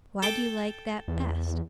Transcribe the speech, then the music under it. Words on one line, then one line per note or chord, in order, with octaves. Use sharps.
"Why do you like that best?"
A4 G5 D6
E2